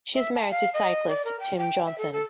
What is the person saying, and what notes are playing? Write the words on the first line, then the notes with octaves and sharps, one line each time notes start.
She is married to cyclist Tim Johnson.
E5
A5
F5
D#5
D5
A#4
G5
G5
E5
A4
A4